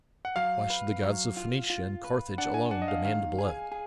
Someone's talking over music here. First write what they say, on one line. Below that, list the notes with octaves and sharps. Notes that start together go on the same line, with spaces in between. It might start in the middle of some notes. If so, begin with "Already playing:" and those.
Why should the gods of Phoenicia and Carthage alone demand blood?
F#5
F#3 F5
B4
F#3
F4
F4
B4
D4 F#5
G#5
D4 F#5
D#5
F5
D#3 F5
G#4
G#5
G#4